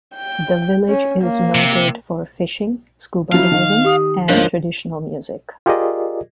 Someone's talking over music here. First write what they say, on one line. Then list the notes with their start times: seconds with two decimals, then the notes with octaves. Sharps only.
The village is noted for fishing, scuba diving, and traditional music.
0.16 G5
0.89 C#4
1.22 A#3
1.55 C3
3.32 F3 F#3 E4 F5
3.51 D#3
3.84 G4 D#6
4.29 G#1 D2 F3 A#4 C#5 F#6 G7
5.66 F4 G4 G#4 A#4 D5 D#5